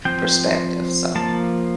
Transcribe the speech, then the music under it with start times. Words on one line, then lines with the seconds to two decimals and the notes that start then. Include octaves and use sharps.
perspective, so
0.05 F3 C4 G5
1.15 F3 A#3 A5